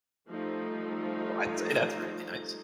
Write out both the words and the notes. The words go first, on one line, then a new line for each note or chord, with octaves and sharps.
Well, I'd say that's really nice.
F3 G3 A3 D#4